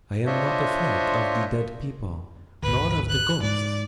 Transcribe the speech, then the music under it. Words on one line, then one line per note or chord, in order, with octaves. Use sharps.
I am not afraid of the dead people, nor of the ghosts.
D4 F4 C5 C#5 D#5 E5
G#1 D2 B4
F#6
G#2 D5